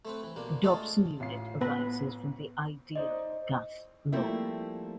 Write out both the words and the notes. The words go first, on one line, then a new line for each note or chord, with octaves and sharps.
The Dobson Unit arises from the ideal gas law.
A3 C4 B4
E3
B1 A#3 D4
G#3 A3 D4 F4 G#4 A4
A1 F4 C7
B3 B4
D#4 C5 D5 D#5
C5
F3 G3 A3 A#3 C4 E4